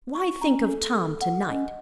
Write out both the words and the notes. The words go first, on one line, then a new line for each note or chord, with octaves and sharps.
Why think of Tom to-night?
C#6
C#4 A#5
A4
A4
F#5
C#4 D#5